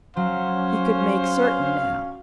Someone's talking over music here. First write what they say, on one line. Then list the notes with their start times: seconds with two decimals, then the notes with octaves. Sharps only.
He could make certain now.
0.17 F#3 C#4 C5 F5